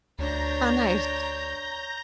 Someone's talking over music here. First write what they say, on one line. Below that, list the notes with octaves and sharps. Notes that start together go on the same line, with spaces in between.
Aw, nice.
D2 D4 C#5 A#5 G6 A#6